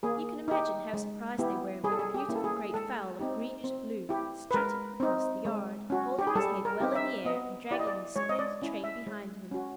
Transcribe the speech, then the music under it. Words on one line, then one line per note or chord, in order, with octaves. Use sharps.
You can imagine how surprised they were when a beautiful great fowl of greenish-blue strutted across the yard, holding his head well in the air and dragging his splendid train behind him.
A#3 G#4
D#4 G4
G#3
B3 E4 G4
G3 G#4
A4
G#4
G4
A#3 C#4 E4
A4
G#4
G#3 A4
C4 D#4 G4
C4
E4 G4
B4
G#3 A#4
C4 D#4
G#3
C#4 F#4
G4
G#4
G3 A4
A#4
C4 D#4 G4
E5
B3 D#5
E4 G4 D5
D#5
D5
G#3 C#5
D#5
D5
C#4 E4
E5
G#3
C#4 F#4